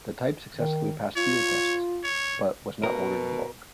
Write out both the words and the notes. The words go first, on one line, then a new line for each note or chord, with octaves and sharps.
The type successfully passed field tests, but was not ordered in bulk.
D#3
F4 C#5
C#5
B2 A#4